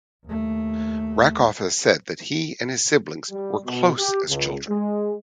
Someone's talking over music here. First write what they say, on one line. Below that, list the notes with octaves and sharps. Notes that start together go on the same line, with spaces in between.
Rakoff has said that he and his siblings were close as children.
D#2 A3
G3
B2
G4
C#2
G#3